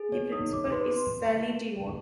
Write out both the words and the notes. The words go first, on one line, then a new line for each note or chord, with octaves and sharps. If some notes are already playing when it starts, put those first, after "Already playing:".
The Principal is Sali Devon.
Already playing: G#4
C#5
D#4 D#6
D#4 D6
B4 C6
C6